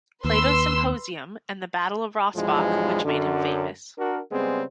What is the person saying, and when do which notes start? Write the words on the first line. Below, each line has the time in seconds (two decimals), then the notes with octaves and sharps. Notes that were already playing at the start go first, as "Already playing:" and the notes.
"Plato's Symposium" and the "Battle of Rossbach" which made him famous.
0.25 D#2 B4 C6 E6
2.36 B1 G2 E3 F3 G#3
3.05 F#2 D3
3.99 D4 F#4 A#4
4.32 C#3 G3 G#3 B3 C4